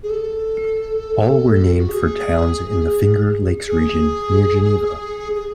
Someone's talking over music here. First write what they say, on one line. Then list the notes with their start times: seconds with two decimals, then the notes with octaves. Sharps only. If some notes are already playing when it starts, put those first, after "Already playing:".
All were named for towns in the Finger Lakes region, near Geneva.
0.03 G#4
0.09 A4
1.77 F#4
1.89 G#4
3.68 G#4
5.35 G#4